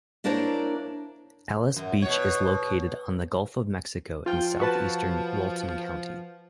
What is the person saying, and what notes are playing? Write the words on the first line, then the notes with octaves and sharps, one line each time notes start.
Alys Beach is located on the Gulf of Mexico in southeastern Walton County.
A#3 D4 E4 A#4 C5 C#5
F#2
B2 C#5
F3 F4 G5
F#4 B4 A5